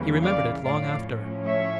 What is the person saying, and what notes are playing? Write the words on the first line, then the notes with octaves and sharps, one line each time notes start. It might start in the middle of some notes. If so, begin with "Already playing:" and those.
He remembered it long after.
Already playing: E2 C#3 E3 G3 A#3
D5 F5
A2 F3 C#4 D5 F5
C#5 E5